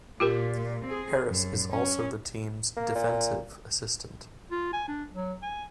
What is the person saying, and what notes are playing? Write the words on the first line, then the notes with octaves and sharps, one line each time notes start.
Harris is also the team's defensive assistant.
A#2 F4 G4 A#4
C4 G#4
F#2
C#4
A#3
A#2
F4
G#5
D4
F#3
G#5